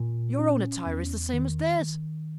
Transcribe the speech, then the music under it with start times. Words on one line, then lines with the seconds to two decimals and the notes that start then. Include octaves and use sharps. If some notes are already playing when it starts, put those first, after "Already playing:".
Your own attire is the same as theirs.
Already playing: A#2
0.39 C#4
0.86 E2
1.33 D#3
1.80 D#3